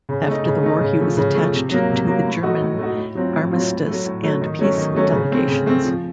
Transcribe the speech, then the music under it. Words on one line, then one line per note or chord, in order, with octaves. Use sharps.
After the war he was attached to the German Armistice and Peace delegations.
C#3
A3 D#4
C#3
A3 D#4
C#3
F3 A3
C#3
F3 A3
C3
F#3 A#3
C3
F#3 A#3
A2
A3 D#4 F#4
A2
A3 D#4 F#4
A2
F#3 C4 F4
A2
F#3 C4 F4
A2
F#3 A3
A2
F#3 A3
D#3
F#3 A3 C#4
D#3
F#3 A3 C#4
C#3
A3 C4
C#3
A3 C4
F3